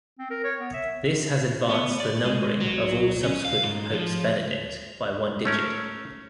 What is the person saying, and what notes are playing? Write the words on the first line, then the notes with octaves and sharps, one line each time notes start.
This has advanced the numbering of all subsequent Popes Benedict by one digit.
C4
A#4
C#5
B3
E5
B3
D5
G#3
F#3
C#4
F5
G#2
F3
A3 C#4 A#4